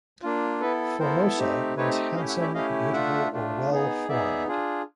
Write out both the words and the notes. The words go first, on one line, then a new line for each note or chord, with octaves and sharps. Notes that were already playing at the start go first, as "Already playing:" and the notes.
"Formosa" means 'handsome', 'beautiful', or 'well-formed'.
A#3 D4 F4
B3 E4 A4 B4
B3 E4 A4 A#4 C5
A3 C4 D#4 G4
A3 C4 D#4 G4 B4 C#5
A3 C#4 E4 G4 D#5 F5
E5 F#5
D5 E5
A3 C#4 E4 G4 D#5 F5
A3 D4 F4 E5 F#5
A3 D4 F4
B3 D#4 G#4
B3 D#4 G#4 D5 E5
D4 F4 G#4